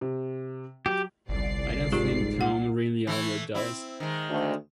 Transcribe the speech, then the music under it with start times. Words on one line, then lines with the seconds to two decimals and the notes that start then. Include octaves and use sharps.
I don't think Tom really overdosed.
0.01 C3
0.86 F#3 G4
1.29 G1 C2 D5 C7
1.92 G#2 D#4 F4 G4
2.41 F#5
3.07 E3 A3 E4
3.55 C4 E4
4.00 D#3 G#3
4.29 D2